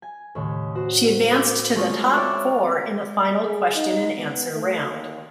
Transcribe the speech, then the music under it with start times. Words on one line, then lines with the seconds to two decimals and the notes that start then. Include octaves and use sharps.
She advanced to the top four in the final question and answer round.
0.02 G#5
0.35 D#2 A2 C#3
0.75 F#4 C5 E7
1.29 D6
1.75 G#3 A3 C4 C#4 D#4 F4
2.13 A#4 C#5 D5 E5 D6 A6
3.43 G#4
3.75 D#4
4.18 B3
4.54 A3
4.88 D#2